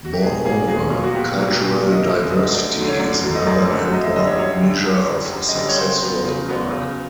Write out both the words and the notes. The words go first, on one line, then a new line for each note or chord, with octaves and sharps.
Moreover, cultural diversity is another important measure of success for the park.
F#4
G4
B2 G#4
F#3 A#3 G#4
B2 G#4
F#3 A#3 F4
F#4
B2 G4
F#3 A#3
B2 G#4
D5
F#3 A#3
D#5
F#2 E5
D3 F#3 A3 D#5
F#2 D5
D3 F#3 A3
C#5
F#2 D5
D3 F#3 A3
D#5
F#2 D5
D3 F#3 A3
F#2 D#5
E5
D3 G3 D#5
C#5
F#2 C#5
D3 G3
F#2
D3 G3
F#2
D#5
D3 G3 D5
C#5
C#3 C5
F#3 B3
C#3
F#3 B3
C#3